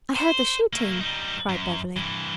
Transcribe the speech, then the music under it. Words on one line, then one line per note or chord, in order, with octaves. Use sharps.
"I heard the shooting," cried Beverly.
C5
A3 A#3
G3 D#4
F#2
G2 E3